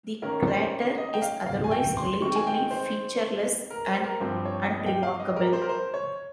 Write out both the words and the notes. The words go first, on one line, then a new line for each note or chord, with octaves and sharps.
The crater is otherwise relatively featureless and unremarkable.
D#3 A#3 C#4 A#4
C5
D#5
G5
F5
F5
G#5
G5
C6
D#3 G#3 C4 C#6
G#5
G5
C5
A#4
C5
A#4
G2 F3 C4 C5
C#5
D#5
G5
F5
D#5
A#4
C5
A#4
C5
C#5